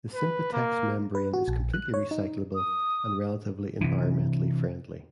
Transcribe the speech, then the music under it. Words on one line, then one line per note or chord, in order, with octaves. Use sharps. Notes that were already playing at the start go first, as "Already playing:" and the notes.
The SympaTex membrane is completely recyclable and relatively environmentally friendly.
B4
A#3
B4
F#4
A#1
F#6
C#5
D#4
D#6
C3 E3